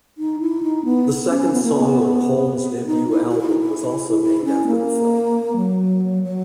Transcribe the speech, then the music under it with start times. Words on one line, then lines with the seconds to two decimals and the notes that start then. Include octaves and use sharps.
The second song on Hole's debut album was also named after the film.
0.18 D#4
0.40 E4
0.63 D#4
0.85 B3
1.30 C#4
1.53 B3
1.63 A#3
1.75 B3
2.87 D#4
3.10 E4
3.31 F#4
3.40 E4
3.49 D#4
3.58 E4
4.22 E4
4.45 C#4
4.67 A#3
5.56 F#3
6.23 F#3